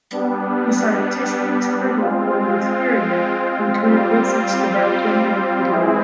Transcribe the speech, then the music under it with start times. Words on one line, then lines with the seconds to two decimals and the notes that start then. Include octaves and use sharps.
His artistic studies during this period included visits to Belgium and Italy.
0.11 G3 B3 D4
1.97 G#3 C4 F4
3.83 G3 C4 F4
5.70 E3 G#3 C4 E4 G#4